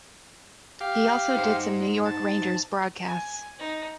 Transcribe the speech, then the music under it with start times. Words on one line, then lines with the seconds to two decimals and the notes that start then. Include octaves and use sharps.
He also did some New York Rangers broadcasts.
0.81 G4 F5
1.37 D#4 C5
2.06 A5
3.04 G#5
3.59 D#4